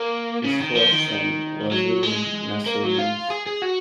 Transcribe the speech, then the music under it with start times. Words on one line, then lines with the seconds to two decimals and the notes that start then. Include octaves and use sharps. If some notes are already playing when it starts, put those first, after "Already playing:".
His fourth son was William Nassau Lees.
Already playing: A#3
0.44 C#3
0.60 D#3
0.75 F3
0.91 D#3
1.07 D#3
1.72 F#3
2.03 G#3
2.66 A#3
2.83 F#3
2.99 F4
3.30 G#4
3.46 G#4
3.62 F#4